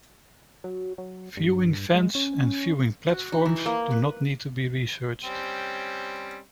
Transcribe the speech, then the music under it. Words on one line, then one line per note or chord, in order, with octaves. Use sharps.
Viewing Vents and Viewing Platforms do not need to be researched.
F#3
F#3
G2
G#3
C#4
F#4
D#4
E3
A#3
B4
G3 C4 C#4